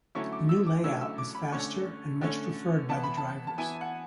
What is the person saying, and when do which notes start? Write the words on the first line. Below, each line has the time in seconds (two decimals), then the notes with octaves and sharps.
The new layout was faster and much preferred by the drivers.
0.15 D3 F#3 A3 C#4 E4 C#6
0.33 D6
0.49 E6
0.67 D6
0.84 D3 F#3 A3 C#4 E4 E6
1.01 E6
1.18 D6
1.35 B5
1.52 D3 A3 C#4 C#6
2.21 D3 A3 C#4
2.89 E3 B3 E4 A5
3.04 B5
3.17 A5
3.47 A5
3.58 E3 B3 E4 G#5
3.81 F#5